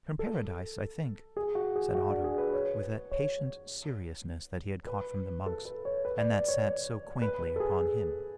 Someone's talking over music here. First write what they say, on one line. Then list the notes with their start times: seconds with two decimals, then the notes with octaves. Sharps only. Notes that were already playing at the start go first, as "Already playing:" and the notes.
"From paradise, I think," said Otto, with that patient seriousness that he had caught from the monks, and that sat so quaintly upon him.
0.19 A4
1.37 G#4
1.55 F#4
1.76 G#4
1.95 F#4
2.10 D4
2.24 G#4
2.38 B4
2.53 C#5
3.11 C#5
4.87 B4
5.46 A4
5.65 B4
5.85 C#5
6.05 B4
6.18 D5
6.34 D5
6.48 C#5
6.63 D5
7.22 B4
7.40 B4
7.56 A4
7.60 G#4